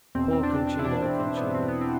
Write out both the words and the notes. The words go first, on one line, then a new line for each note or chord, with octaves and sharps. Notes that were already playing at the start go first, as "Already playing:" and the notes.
Poor Concino Concini!
E2 B2 C4
C4
D4
C4
D4
E4
E2 B2 D4
D4
C4
C4
B3
E2 B2 C4
B3
C4